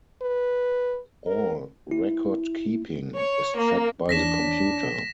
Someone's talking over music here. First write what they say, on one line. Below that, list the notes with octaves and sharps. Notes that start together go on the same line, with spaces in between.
All record-keeping is tracked by the computer.
B4
A#4
E4
C#5
A#3
E2 E3 D4 C#5 A#6 B6 E7